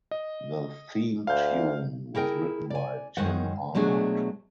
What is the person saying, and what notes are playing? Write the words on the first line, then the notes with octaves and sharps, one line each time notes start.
The theme tune was written by Tim Arnold.
D#5
D2 F5 G6
E4 G#4 A#4 G5
D5 G#5
F#2 D#3 G#3 C5 F#5
B2 F#3 G#3 A3 D4 G#4